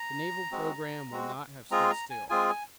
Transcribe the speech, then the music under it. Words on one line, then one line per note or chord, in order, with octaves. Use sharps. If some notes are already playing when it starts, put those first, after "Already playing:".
The naval programme will not have stood still.
Already playing: A#5
G#3 C4 F#4
G#3 C4 F#4
G#3 C4 F4 G#4 A#5
A#5
G#5
G#3 C4 F4 G#4 G#5
G#5